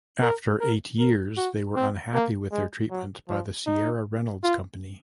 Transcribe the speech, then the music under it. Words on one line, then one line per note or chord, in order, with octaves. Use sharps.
After eight years, they were unhappy with their treatment by the Sierra Reynolds Company.
A#4
A#4
A#4
F#4
C4
A#3
G#3
F#3
F3
D#4
F4